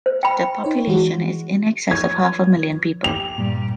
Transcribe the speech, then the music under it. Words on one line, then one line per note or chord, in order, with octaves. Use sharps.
The population is in excess of half a million people.
C5
G5 B5
D#4 C5 C#5
E3 G#3 F#4
F3 B4 C#5 G#6
G4 F7
G2 A#2 G3